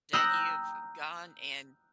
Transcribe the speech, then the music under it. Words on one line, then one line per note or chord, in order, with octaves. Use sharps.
that you've gone and,
G5 A#5 D#6 E6 F#6 G6